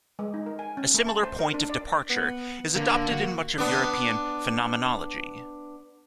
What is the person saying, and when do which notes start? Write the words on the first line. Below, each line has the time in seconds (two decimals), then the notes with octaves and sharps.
A similar point of departure is adopted in much of European phenomenology.
0.19 G#3
0.34 D#4
0.46 A#4
0.59 G#5
0.77 C#4
0.94 A3
1.07 A5
1.23 C5
1.39 A#4
1.54 D4
1.70 D5
2.10 B3
2.76 D3 A#3
3.12 F#4
3.58 B3 D4